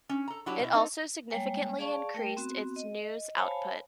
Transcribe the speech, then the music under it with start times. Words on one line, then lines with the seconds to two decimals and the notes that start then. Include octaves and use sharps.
It also significantly increased its news output.
0.09 C#4
0.28 A4 A#5
0.46 F#3 D4 E4 F#4 G4 C#5
0.59 B2 E4
0.73 C4 D#4 A4
1.30 G3 G#3 A#3 C#5 G5 G#5
1.78 G#4 D5 F5 A5 C#6
2.14 A3 A#4 G5
2.36 B3 C4 F#4
2.76 D#5
3.36 C5 C#5 F5 G#5 A5 B5